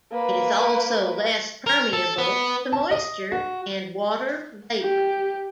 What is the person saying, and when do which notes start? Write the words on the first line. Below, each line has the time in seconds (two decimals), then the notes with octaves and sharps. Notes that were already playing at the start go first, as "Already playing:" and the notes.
It is also less permeable to moisture and water vapour.
0.12 A#3 B4
1.66 A#4
1.93 A4
2.18 B3
2.72 A5
2.91 D#5
3.32 F#4
4.82 G4